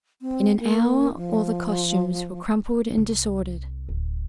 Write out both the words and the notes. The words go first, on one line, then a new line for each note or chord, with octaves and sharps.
In an hour, all the costumes were crumpled and disordered.
C4
A#3
F3
C2
D1